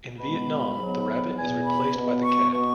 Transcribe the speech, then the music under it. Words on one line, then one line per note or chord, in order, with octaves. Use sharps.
In Vietnam the Rabbit is replaced by the cat.
B2 G#3 B3 B5
G#2 F#3 B3
E2 B2 B3 G#5
B5
B2 B3
C#6
B2 B3 C#6